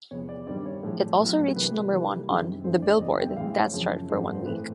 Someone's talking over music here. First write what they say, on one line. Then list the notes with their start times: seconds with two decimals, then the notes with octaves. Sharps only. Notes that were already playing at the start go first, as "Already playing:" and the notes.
It also reached number one on the "Billboard" dance chart for one week.
0.11 E2 C3 F3 G#3 B3 C#5
0.29 D5
0.47 G2 D#3 G3 C4 D5
0.66 C#5
0.83 A2 F3 G#3
1.20 A2 F#3 B3
1.56 C3 E3 G3 A#3 B4
1.92 C3 E3 G3 A#3
2.29 F#2 D#3 G#3 C4
2.64 G2 E3 A3 C4 C5
2.82 D5
3.00 E2 C#3 E3 D#5
3.19 G5
3.29 E5
3.37 A2 E3 G#3 C4 F5
3.55 C#5
3.73 F#2 C#3 F3 G#3
4.09 G#2 F3 A3 C4 C5
4.35 C5
4.46 A2 E3 A3 C4 B4